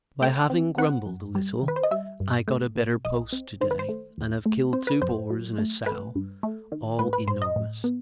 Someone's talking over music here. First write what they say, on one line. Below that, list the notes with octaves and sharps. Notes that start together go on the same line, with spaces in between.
By having grumbled a little, I got a better post to-day; and have killed two boars and a sow, all enormous.
A3 G5
C4
C4 F#5
F#2
G3
D#3
B4
C5
D#5
G3 E5
G2
A3
B2
B1 D#5
C4
D#3 C5
B4
C5
A3
D#2
A3
C4 C5
B4
F#2 C5
F#3
A3
A3 B4
G2
A3
D#3
A2 B4
B4
A2 C5
D#5
A2
B3